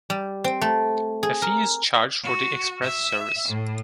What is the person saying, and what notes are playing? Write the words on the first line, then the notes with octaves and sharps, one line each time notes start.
A fee is charged for the express service.
G3
C4
A3
G#4
A#4
F#4
E5
A2